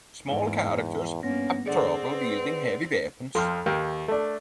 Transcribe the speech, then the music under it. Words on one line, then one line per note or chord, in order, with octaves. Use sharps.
Small characters have trouble wielding heavy weapons.
E2 G#2
G2 A#3 B3 C#4 A#6
D3 C4 G#4 D5 F#5
B4
F2 A4 G5 C6 F6
D#2 A#4 F5 G5
A3 D4 A4